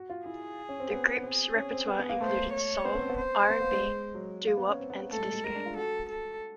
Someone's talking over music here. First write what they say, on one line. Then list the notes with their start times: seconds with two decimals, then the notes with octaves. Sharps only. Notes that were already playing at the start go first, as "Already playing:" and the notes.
The group's repertoire included soul, R and B, doo-wop, and disco.
Already playing: F#4
0.10 F4
0.25 E4 G#4
0.69 C#4
0.80 C4
0.91 B3
1.17 B3
1.22 C4 G#4
1.55 C#4
1.72 C4
1.88 B3
1.99 B3
2.09 A#3
2.20 A3 C5
2.53 C#5
2.85 B3 C5
2.93 C#4
3.01 C4
3.09 B3
3.17 C5
3.50 B3
3.60 A#3
3.72 G#3
4.14 F#3
4.47 A#3
4.57 B3
4.68 C#4
4.80 C4
4.90 B3
5.12 A3 A4
5.18 G3
5.23 G#3
5.33 G#3
5.44 G#3 A#4
5.55 D4
5.66 F4
5.77 F#4 A4
6.09 A4